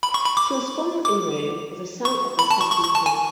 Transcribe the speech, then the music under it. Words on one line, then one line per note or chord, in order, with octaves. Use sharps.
He was born in Rome, the son of a subdeacon.
B5
C#6
B5
D6
D6
C#6
B5
A5
C#6
C#6
C#6
A5
G#5